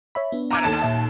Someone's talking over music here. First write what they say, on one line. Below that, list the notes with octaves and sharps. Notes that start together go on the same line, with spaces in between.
I don't know,
C#5 E5 B5
B3 D4
A#5 D6 G#6
D#2 A4 A5
A#2 E5